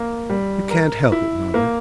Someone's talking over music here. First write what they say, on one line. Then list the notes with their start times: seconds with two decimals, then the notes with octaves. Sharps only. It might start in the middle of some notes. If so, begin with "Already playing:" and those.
'You can't help it, mother.
Already playing: A#3
0.30 G3
0.71 A#4
1.12 E4
1.54 A#3